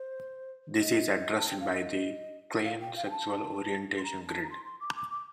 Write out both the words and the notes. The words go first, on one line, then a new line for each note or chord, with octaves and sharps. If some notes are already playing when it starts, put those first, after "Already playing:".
This is addressed by the Klein Sexual Orientation Grid.
Already playing: C5
D#5
A5
G5
F5
D#5
F5
G5
F5
G5
A5
C6
A#5
A5
A#5
C6
C6
D6
D6
D6